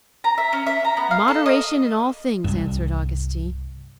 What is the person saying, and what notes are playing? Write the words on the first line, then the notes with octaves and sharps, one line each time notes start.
"Moderation in all things," answered Augustine.
A#5
E5
C#4
E5
A#5
B3
F5
A4
D#5
C2 G2